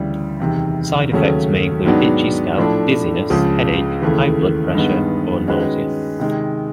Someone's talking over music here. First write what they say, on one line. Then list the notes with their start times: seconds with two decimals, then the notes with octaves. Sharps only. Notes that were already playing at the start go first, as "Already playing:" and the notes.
Side effects may include itchy scalp; dizziness, headache, high blood pressure or nausea.
Already playing: D2 C#3 E3 G3
0.40 E2 C3 D#3
1.12 D#2 C#3 F#3 A3 C#4
1.85 G#2 D#3 F#3 B3 D4
2.58 A2 F3 A3 D4
3.30 C#2 C#3 F3
4.02 D#2 C#3 E3 A3
4.75 G2 D#3 G#3 B3
5.48 D#3 G#3 C#4 F#4 B4
6.20 C3 D#3 G#3